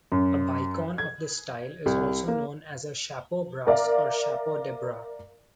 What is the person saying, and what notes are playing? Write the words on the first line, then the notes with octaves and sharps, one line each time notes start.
A bicorne of this style is also known as a "chapeau-bras" or "chapeau-de-bras".
F#2
G#6
C2
A#3
A#4 D5 E5 F5